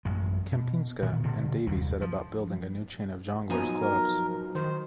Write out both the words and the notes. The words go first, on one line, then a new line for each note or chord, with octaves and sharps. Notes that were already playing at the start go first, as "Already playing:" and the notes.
Kempinska and Davy set about building a new chain of Jongleurs clubs.
A1 F#2 G#3
B2
A#2 D#3 E3 B3
D2 G2 B2 D3
F#1 D#2 C3 G3
F3
F3 F#3 B3 D#4 G#5 A#5
A#4
D#3 C5